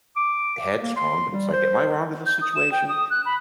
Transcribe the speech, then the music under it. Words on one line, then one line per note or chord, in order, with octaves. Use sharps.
headstrong, but it's like, am I wrong in this situation?
D6
A#3
C6
G3
C5
G6
D#6
E7
G5
D#6
F#6
B5